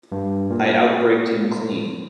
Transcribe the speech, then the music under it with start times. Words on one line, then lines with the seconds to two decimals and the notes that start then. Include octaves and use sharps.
I outbraked him clean.
0.12 G2
0.50 A#2